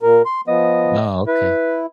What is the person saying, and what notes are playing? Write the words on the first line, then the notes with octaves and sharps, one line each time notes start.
Oh, okay.
A#2 A#4
C6
F3 B3 D#5
E4 B4